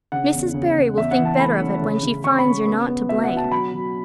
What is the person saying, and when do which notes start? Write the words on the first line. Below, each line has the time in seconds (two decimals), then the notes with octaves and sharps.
Mrs. Barry will think better of it when she finds you're not to blame.
0.12 C#3 F#5
0.33 E2
0.54 C#3
0.76 C#3
0.97 E2 E5
1.11 F#5
1.18 E3
1.25 A5
1.39 A3 B5
1.61 C#4
1.82 C#3
2.03 C#3
2.24 C#3 C#6
2.39 B5
2.46 C#3
2.67 B3
2.88 B3
3.09 B2 E5
3.23 F#5
3.31 B2
3.37 A5
3.51 F#3 B5
3.74 F#3